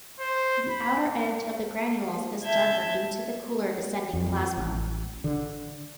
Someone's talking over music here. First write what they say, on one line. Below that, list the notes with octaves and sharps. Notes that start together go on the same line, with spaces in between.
The outer edge of the granules is darker due to the cooler descending plasma.
C5
B5
E5 A5 G6 G#6
F2
A1
D3